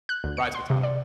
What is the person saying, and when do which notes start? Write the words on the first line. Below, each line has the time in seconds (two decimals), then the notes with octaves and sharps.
The bride's katana.
0.09 F#6
0.24 D2
0.37 C#7
0.54 C6
0.70 C3
0.83 D5